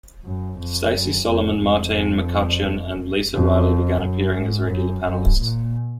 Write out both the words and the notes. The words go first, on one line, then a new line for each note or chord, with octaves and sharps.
Stacey Solomon, Martine McCutcheon and Lisa Riley began appearing as regular panellists.
F#2
F2
F#2
F2
F2
F2
F#2
G#2
F#2
F#2
A#2